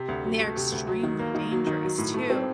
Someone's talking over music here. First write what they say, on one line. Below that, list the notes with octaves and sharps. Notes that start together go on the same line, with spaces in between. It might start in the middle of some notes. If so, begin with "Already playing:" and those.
and they are extremely dangerous too,
Already playing: C3
D2
F#3
A3
C3
D2
F#3
D#3
A#3
D#3
F#3
D#3
F#3
A2
A3
C4